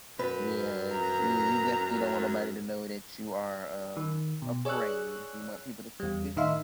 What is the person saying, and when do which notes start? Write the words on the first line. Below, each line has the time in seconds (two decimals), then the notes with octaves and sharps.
Yeah, you you definitely don't want nobody to know that you are, um, afraid. You want people to think you're
0.19 F#2 B4
0.92 A#5
3.97 D#3
4.42 B2
4.65 G#4 C#5 D5 C#6 E6 F#6
6.00 E2 G3
6.36 A2 D#3 D#4 E5 F5 C6